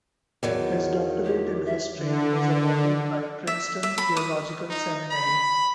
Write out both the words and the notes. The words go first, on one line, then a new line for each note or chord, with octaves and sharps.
His doctorate in history was awarded by Princeton Theological Seminary.
E2 D#3 F#3
G4
E5
D3
E5
E5
B5
D#6
D#4
B5